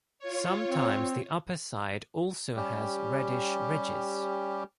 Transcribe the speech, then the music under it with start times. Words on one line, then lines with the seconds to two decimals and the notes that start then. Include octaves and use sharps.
Sometimes the upper side also has reddish ridges.
0.19 F4 C#5
0.68 C4
2.56 G3 C#4 G4